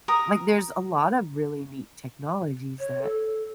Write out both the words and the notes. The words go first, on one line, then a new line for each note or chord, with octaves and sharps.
like, there's a lot of really neat technologies that
A#4 A#5 D#6
C#5
A4